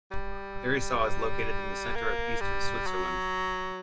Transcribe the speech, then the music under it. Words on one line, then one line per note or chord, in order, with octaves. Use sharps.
Herisau is located in the centre of eastern Switzerland.
G3
A#3
G3
F#3